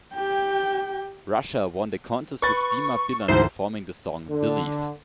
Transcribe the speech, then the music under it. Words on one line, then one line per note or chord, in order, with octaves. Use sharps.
Russia won the contest with Dima Bilan performing the song "Believe".
G4 G5
B4 C#6 A6
D2 G#2 E3 C5
D3